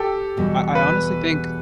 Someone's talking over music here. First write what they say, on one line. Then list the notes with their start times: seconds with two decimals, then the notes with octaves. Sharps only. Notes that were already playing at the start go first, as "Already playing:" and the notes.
I I honestly think
Already playing: G4 A4
0.37 E2 B2 G3
0.75 B4